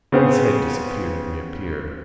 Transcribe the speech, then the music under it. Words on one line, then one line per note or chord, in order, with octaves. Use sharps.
His head disappeared and reappeared.
C#3 B3 C4 G#4